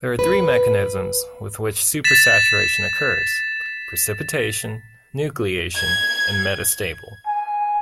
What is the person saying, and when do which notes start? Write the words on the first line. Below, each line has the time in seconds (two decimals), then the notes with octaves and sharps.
There are three mechanisms with which supersaturation occurs: precipitation, nucleation, and metastable.
0.19 B4
2.04 A6 B6 E7
5.75 G#6
7.26 G#5